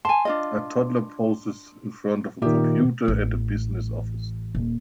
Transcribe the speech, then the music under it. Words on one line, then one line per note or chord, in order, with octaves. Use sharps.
A toddler poses in front of a computer at a business office.
G#5 A5 C6
D4 F4 D#5
A#2 D#3 G4 E5
A1
D#1